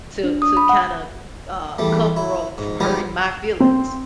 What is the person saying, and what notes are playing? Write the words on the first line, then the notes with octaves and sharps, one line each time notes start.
to to kinda, uh, cover up from hurting my feelings.
D4
D#6
B5
F#5
E2 G3 A3
E4
G#2
F3 G3 G#3 B3 D#4
C4